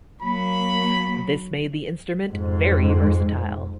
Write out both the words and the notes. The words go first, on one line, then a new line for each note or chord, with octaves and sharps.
This made the instrument very versatile.
F#3 A#3 B5
F2 G#2